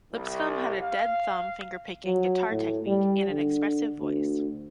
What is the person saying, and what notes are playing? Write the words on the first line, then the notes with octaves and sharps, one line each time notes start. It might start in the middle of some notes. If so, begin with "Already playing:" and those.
Lipscomb had a "dead-thumb" finger-picking guitar technique and an expressive voice.
C2
F5
F#3
A2
G3
D3
D2